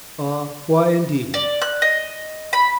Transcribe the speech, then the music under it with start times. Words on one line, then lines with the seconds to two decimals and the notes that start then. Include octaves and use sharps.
Ah! why indeed?
1.34 D5
1.62 F#6
1.82 D#5
2.53 B5